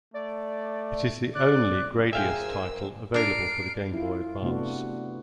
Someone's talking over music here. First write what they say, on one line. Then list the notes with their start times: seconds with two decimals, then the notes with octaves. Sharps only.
It is the only "Gradius" title available for the Game Boy Advance.
0.14 A3 D5
1.35 D5 F#6
2.13 G#4 A#4 C5 E5 F5 G5 G#5 E6
3.14 D4 A#4 C7 D7
3.93 E4 F4
4.42 C3 A3 B3 D4 F#4